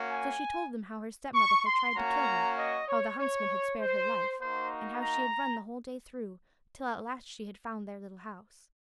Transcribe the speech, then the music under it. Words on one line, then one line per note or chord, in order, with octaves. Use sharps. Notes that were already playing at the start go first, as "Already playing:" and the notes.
So she told them how her stepmother had tried to kill her, how the huntsman had spared her life, and how she had run the whole day through, till at last she had found their little house.
Already playing: A#3 C#4 F#4
G#5
C#6
C6
A#3 C#4 F#4 A#5
D#5
C#5
C#5
C5
A#3 D#4 F#4 C5
A#5